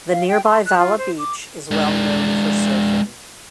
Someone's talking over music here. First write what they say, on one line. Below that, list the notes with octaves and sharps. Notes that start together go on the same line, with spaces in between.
The nearby Valla Beach is well known for surfing.
F5
G5
C6
F#6
F4
C5
D6
G#3 D4